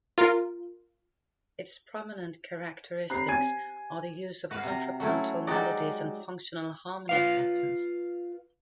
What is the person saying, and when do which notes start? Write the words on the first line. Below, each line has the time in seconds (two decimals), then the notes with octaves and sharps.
Its prominent characteristics are the use of contrapuntal melodies and functional harmony patterns.
0.18 F4 A#4
3.10 G4 C5 A#5 B5 F#6 C7
3.28 G#5 G#6 D#7
4.51 F#4 B4 F5
4.63 C3 A#5
5.00 F#3 A3 C#4 E4
5.47 F#3 G#3 D#4 F#4 G4 D5
7.09 F4 B4 F5